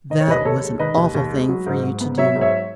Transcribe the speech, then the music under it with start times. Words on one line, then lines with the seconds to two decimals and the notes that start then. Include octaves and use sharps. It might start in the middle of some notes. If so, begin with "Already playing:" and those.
That was an awful thing for you to do.
0.10 D#3 D#5
0.21 C#5
0.28 D#2 B4 D#5
0.45 D#2 A4 C#5
0.63 G#3
0.79 D#3 B4 D#5
0.97 D#2
1.15 D#2
1.32 G#3
1.49 F#3
1.66 G#2
1.84 G#2
2.01 B3
2.18 F#3 C#5 E5
2.35 G#2
2.41 C#5 E5